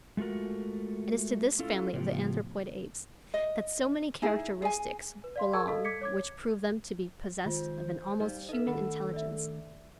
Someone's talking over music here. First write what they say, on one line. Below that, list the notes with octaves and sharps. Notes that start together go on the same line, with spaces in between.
It is to this family of the anthropoid apes that so many characteristics belong which prove them to be possessed of an almost human intelligence.
G#3 A3 F4 F#4 A#4
C#4 E4 F4 A4
A2 C#3 F3 B3 G4
D#5
D#4 E4 G#4
G#4 G#5
B4
D5 F5 C6
G#4 A#4 A5 C#6 E6 G#6
A4 D#5 F5
D6 G#6 B6 C#7
C#5 D6 G#6
D#3 G#3 F4 C5
G3 D#4 F5
D#4 A4 B4 D#5 E5
D#3 A3 D4 F#5 B5
D5 E5